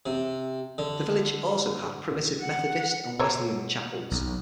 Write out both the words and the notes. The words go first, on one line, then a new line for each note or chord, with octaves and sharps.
The village also had Primitive Methodist and Wesleyan chapels.
C3
D3
F#5
B2 A4 C#5 A#5
B1